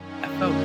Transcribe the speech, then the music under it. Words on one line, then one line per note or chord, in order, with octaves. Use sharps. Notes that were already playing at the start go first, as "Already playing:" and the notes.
I felt
Already playing: F#2 D#3 C#4
A3